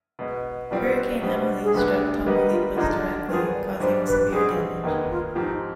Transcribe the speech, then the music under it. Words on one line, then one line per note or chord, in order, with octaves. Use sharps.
Hurricane Emily struck Tamaulipas directly, causing severe damage.
B2 G#3 B3
B2 G3 C4 F4 D5
C5
B4
D5
B2 G3 B3 D4 C5
G#4
D2 C3 G3 B3 D4 B4
B4
D#3 G3 B3 D#4 G4 B4
G4
F4
D3 F3 G#3 D4 D#4
G2 D#3 B3 F4 G#4 C5
D5
G#2 G3 D4 C5
B4
G4
B2 G3 C4 G#4
D#2 D#3 G#3 B3 D#4
F4
G#2 F3 C4 D#4 G4